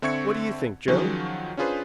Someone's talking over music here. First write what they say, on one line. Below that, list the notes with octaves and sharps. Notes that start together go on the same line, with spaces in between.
"What do you think, Joan?"
D3 C4 E5 C#6 G#6 C#7
D#3 F3 F#3 C#4 F#4 G#4
C#4 D4 F4 G#4 B4 C5